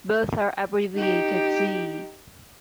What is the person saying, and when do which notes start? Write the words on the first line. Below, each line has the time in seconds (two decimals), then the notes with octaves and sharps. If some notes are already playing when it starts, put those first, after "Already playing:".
Both are abbreviated Z.
0.96 D#4 G4